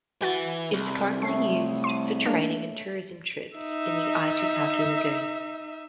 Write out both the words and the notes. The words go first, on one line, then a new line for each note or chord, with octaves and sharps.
It is currently used for training and tourism trips in the Aitutaki lagoon.
E3 F#4 F#5 A6
C2
A3 C#5 C7
C6 D#7
G#3 A#3 D4
D#4 E5